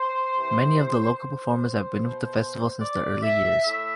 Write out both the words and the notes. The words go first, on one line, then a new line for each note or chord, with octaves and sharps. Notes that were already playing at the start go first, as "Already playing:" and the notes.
Many of the local performers have been with the festival since the early years.
Already playing: C5
C3 E3
C5
B2
D5
E5
A2 E5